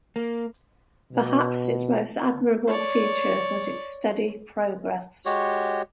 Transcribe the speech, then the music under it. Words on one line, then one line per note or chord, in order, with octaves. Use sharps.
Perhaps its most admirable feature was its steady progress.
A#3
B2
C#5 D5
G#3 F#4 G4 C#5